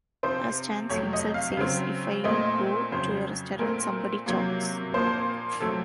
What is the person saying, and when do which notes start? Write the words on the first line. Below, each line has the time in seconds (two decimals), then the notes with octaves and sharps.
As Chance himself says, If I go to a restaurant, somebody chokes.
0.23 C3 F3 C4 C5
0.89 F2 C3 F#3 A3 C#5
1.13 D#5
1.34 F5
1.57 C#3 F#3 C4
2.24 A#2 A3 C4 D#5
2.92 F2 C#3 F#3 C5
3.59 A#2 A3 C4 A#4
4.26 C3 F#3 A#3
4.94 A#2 F3 A#3 C5
5.60 C3 F#3 A3 C4 A4